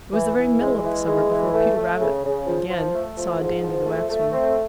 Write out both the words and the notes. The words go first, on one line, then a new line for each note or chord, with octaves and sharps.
It was the very middle of the summer before Peter Rabbit again saw Dandy the Waxwing.
E3
E3
G#3
E3
G#3
E3
A3
A3
C#3
C#3
F3
F3
A3
F3
G#2
F3
A3
A3
C4